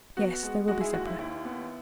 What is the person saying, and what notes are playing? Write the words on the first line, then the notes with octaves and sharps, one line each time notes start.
"Yes, there will be supper."
B3 F#4
G#3
G#3 F#4
E4 G#4
D#2 F#4
E4
D#2 E4
B3